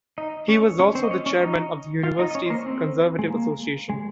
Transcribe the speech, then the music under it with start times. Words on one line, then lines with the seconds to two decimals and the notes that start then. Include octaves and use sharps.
He was also the chairman of the University's Conservative Association.
0.18 D#4 D#5
0.49 C#4 C#5
0.80 C#4 C#5
0.95 C4 C5
1.03 D#5
1.11 C#4 C#5
1.26 C#4 C#5
1.41 D#4 D#5
2.03 F4 F5
2.19 D#4 D#5
2.31 D#5
2.35 C#4 C#5
2.46 C5
2.50 A#3 A#4
2.66 C4
3.19 G#3
3.28 A#3
3.90 G#3